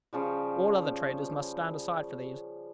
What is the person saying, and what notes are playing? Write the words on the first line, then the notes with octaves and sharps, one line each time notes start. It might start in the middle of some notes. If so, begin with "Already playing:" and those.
All other traders must stand aside for these.
C#3 F3 G3